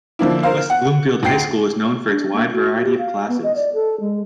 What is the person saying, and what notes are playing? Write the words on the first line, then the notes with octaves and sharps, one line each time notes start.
West Bloomfield High School is known for its wide variety of classes.
D3 F3 A#3 E4
A#4 C5 F5
F#5
D2 G5 C7
D4
A#3
F#4
G4
F5
B3
D#5
D5
A4
G#3